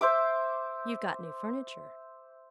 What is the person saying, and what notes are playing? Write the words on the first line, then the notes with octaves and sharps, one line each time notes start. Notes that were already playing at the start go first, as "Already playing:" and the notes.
'You've got new furniture.'
C5 E5 D6